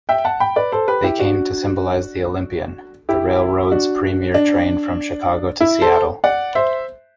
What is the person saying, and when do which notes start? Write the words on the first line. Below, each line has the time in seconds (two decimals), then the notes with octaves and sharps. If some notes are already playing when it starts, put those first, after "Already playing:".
They came to symbolize the "Olympian", the railroad's premier train from Chicago to Seattle.
0.09 E5 G5
0.25 F#5 A5
0.40 G5 B5
0.56 B4 D5
0.72 A4 C5
0.88 G4 B4
1.03 E4 G4
1.19 D4 F#4
3.09 E4 G4
3.72 D4 F#4
4.34 D4
5.61 E4
5.82 A4 C5
6.24 D5 F#5
6.55 C5 E5